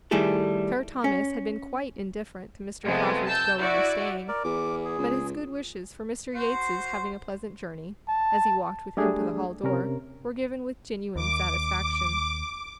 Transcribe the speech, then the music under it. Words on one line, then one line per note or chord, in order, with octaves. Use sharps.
Sir Thomas had been quite indifferent to Mr. Crawford's going or staying: but his good wishes for Mr. Yates's having a pleasant journey, as he walked with him to the hall-door, were given with genuine satisfaction.
D#3 G3 A3 E4 G#4 A4
C#4
C3 F3 G#3 A3 B3
A5 E6 G6
E4 F#4 D5
A#4 D5
E2 D6
G#4
C#2
F#4 C5 C6
A5
G3 A3 D4 G#4
C3 C#4 A#4
D#2 D6